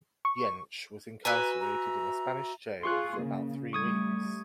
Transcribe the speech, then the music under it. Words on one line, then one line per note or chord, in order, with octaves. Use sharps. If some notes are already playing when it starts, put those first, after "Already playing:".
Jentzsch was incarcerated in a Spanish jail for about three weeks.
C#6
F#4 B4 E5 G#5 A#5
A#5
F4 G#4 C6 C#6 F#6
C#3 A#3
G3 A3 C#6 D#6 G#6